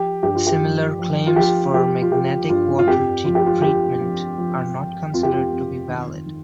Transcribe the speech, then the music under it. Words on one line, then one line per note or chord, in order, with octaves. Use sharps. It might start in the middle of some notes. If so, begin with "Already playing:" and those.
Similar claims for magnetic water treatment are not considered to be valid.
Already playing: F3 G4
G2 G4
F4
G4
F3
F3
F4
F3 G4
F3 G4
F4
F3 G4
G2 F4
F4
F2 G4
F3 F4
G4
F4
F3 G4
F3
F3
F3
F2 F4
G4
F4
F2
D#3
D#3